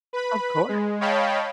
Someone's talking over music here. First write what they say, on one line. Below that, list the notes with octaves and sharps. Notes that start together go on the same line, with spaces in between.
Of course.
B4 B5
G#3
C#5 D#5 F5 G5 A5 B5